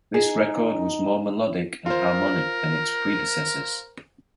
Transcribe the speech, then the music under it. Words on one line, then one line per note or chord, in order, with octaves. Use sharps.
This record was more melodic and harmonic than its predecessors.
D#4 G#4
F4 A#4 C5